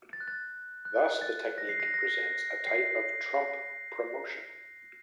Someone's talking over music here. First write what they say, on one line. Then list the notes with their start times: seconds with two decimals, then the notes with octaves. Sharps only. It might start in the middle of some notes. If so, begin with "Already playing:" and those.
Thus, the technique presents a type of trump promotion.
0.13 A6
0.20 F#6
0.28 A6
0.85 F#6
1.22 A6
1.58 A#6
1.69 C7
1.80 A#6
1.94 A#6
2.67 C7